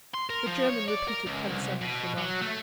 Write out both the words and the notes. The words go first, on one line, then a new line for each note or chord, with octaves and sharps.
The German repeated Tant Sannie's remark.
C6
A#4
F3
C#5
D5
A#4
C#2
C2
B2
F#3
A3